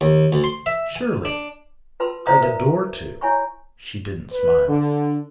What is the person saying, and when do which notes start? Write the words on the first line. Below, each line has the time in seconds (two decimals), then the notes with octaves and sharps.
"Surely, I'd adore to." She didn't smile.
0.01 D#2
0.32 D2
0.44 C6
0.66 E5
0.95 G#5
1.25 D4
2.00 F4 B4 A5 C6 E6
2.26 E4 C5 D5 F5 A#5 D#6
2.41 A#4 B4 E5
3.21 E4 C#5 G#5 B5 C#6
4.32 B4
4.68 D3